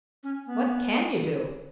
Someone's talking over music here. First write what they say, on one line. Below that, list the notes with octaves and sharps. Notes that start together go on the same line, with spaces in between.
"What can you do?"
C#4
B3